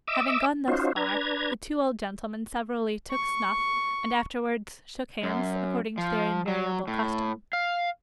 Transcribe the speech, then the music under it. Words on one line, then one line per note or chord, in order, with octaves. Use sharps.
Having gone thus far, the two old gentlemen severally took snuff, and afterwards shook hands, according to their invariable custom.
D#5 E5 D6 E6
C#4 D#4 F4 F#4 C5
D4 B4 A#5 G#6
C#6
F#2
F3
F#3
A2
F5